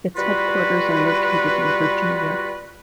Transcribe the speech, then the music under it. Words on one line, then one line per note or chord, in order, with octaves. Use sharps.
Its headquarters are located in Virginia.
G3 F4 F#4 B4